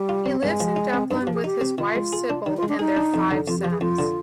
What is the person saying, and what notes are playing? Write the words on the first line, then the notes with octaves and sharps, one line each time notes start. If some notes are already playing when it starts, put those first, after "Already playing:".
He lives in Dublin with his wife Sibylle and their five sons.
Already playing: G3
F4
C4
G2 G#3
F3
D#4
C4
G2 D#4
G4
F3
G#4
D#4 G4
C4
D#3 F4
G#3
G#4
D4
D#3 D#4
F4
G#3
D4
D#4 G#4
D4
F2
D3
F2 F4
G4
F3
G#4
F2 F4
D3